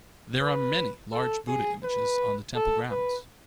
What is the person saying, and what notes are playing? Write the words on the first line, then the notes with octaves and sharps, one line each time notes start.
There are many large Buddha images on the temple grounds.
B4
A4
G#4
B4
A4
B4